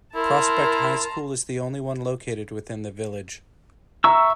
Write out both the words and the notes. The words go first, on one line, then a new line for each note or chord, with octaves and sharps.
Prospect High School is the only one located within the village.
E4 A#4 A5 A#5 C6
E5 A#5 C#6 E6